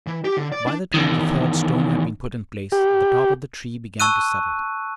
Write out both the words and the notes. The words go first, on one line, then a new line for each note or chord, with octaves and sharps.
By the time the third stone had been put in place the top of the tree began to settle.
E3
G4
D3
D5
D4
E2 D#3
G4
A5 C#6 E6 F#6 D#7